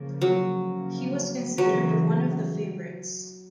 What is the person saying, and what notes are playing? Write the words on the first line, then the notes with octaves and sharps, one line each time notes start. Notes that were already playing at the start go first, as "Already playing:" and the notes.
He was considered one of the favourites.
Already playing: C#3 F3 A#3
F#3
C#3 F3 A#3
C#3 E3 F#3 G#3